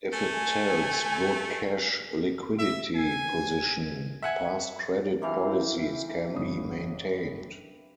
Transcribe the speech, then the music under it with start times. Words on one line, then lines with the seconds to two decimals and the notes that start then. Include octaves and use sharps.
If it tells good cash liquidity position, past credit policies can be maintained.
0.13 A3 G#5
2.59 E5
2.96 G#5
4.23 E5 F#5 G#5
5.22 C3 E3 F5
6.34 G1 F#2 D#6